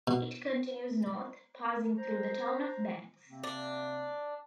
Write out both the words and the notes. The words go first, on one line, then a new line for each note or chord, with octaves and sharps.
It continues north, passing through the town of Banks.
B2
C5 A#5
C3 A#3 C4
D4